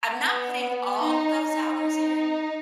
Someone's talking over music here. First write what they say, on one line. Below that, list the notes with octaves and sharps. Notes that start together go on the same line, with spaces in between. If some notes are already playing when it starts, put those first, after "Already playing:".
I'm not putting all of those hours in,
B3
D#4
D#4